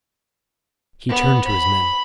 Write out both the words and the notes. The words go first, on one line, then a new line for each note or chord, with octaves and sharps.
He turned to his men.
B3
B5